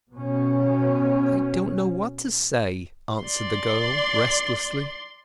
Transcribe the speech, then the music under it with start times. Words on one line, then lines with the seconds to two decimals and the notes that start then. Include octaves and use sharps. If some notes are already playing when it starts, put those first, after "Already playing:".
"I don't know what to say!" answered the girl restlessly.
0.12 B2 C#4
3.24 D5 C6